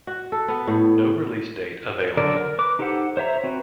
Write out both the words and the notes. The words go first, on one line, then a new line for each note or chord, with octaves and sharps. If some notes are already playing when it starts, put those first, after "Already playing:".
No release date available.
F#4
A4
B3
A2
D3 F#3 A4 A#4 D5
A#4
B4 D6
D#4 G4 A4 C5 F#5
C5 C#5 E5 A#5
C4 F#4 B4